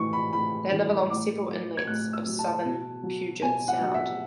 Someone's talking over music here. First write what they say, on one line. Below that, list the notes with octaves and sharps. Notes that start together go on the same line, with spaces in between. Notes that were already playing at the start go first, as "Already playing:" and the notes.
They live along several inlets of southern Puget Sound.
Already playing: A2 E3 C#6
B5
A2 B5
E3
A2 D6
F#3
G#6
A2 F#6
E6
F#3
A5
B2
F#3
B2 G#5
F#5
F#3
E5